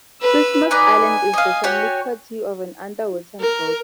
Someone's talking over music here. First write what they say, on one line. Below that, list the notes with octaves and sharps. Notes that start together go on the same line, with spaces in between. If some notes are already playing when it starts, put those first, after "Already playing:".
Christmas Island is the summit plateau of an underwater volcano.
B4 E6
D#4 B4 D5 G#5
D#5 F5
F#4 G4 C#5
A#4